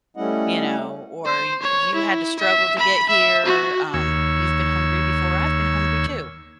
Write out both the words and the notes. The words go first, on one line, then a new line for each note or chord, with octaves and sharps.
you know, or "You had to struggle to get here," um, "You've been hungry before. I've been hungry too.
G3 A3 C#4 E4 D#5 F#5
C5
C#5
E4
E5
B5
E5
F#4
D#2 C#5 E6